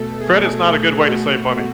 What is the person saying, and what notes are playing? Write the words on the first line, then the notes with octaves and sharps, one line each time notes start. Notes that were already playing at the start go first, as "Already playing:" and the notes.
Credit is not a good way to save money.
Already playing: B2 A3 A4
G#4
B2 A3 F#4